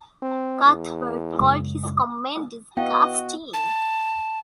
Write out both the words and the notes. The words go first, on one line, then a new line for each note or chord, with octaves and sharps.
Cuthbert called his comment "disgusting".
C4
E2
F#2 C#3 G#3
B3 E4 F#4 D#5 F5 G5
A5